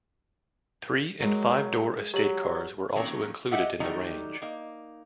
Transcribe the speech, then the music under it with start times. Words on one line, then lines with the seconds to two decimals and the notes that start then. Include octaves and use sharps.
Three- and five-door estate cars were also included in the range.
1.20 F#3 G#3 A#4
2.14 F#3 G4 F#7
2.95 D#3 F#3 A#3 C4 C#4
3.51 G4 D#5 E5 F#5
3.80 D#3 F#3 G3 A3 D#4
4.42 A#3 D#4